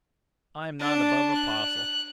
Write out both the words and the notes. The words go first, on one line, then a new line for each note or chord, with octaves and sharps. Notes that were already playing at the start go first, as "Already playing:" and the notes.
'I am not above a parcel.'
D4 A5
F#6